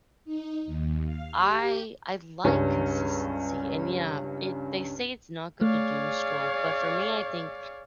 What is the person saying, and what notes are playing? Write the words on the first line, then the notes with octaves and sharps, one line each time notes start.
I I like consistency. And, yeah, it they say it's not good to doom scroll. But for me, I think
D#4
D#2
F5
G4
C#2 G2 C#4
A3 G#4 C#5 D5 F5